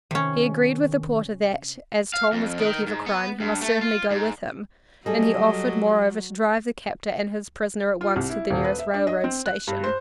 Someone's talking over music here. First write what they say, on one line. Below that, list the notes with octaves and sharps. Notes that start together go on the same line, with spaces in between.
He agreed with the porter that as Tom was guilty of a crime he must certainly go with him, and he offered, moreover, to drive the captor and his prisoner at once to the nearest railroad station.
C3 D#3 C#4
F5
F2
D#3
G#2
B3
G2
A3
F4
G#2
F#3 G3 G#4 A4 D#5
F4
C2
E4
D#1
B4
E5
D4
D#5
C4
F#6
G2
C5